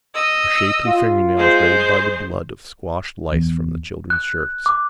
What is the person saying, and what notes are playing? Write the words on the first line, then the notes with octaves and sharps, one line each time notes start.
Her shapely fingernails reddened by the blood of squashed lice from the children's shirts.
D#5 E6
F4
G#3 C5
E2
F#6
D6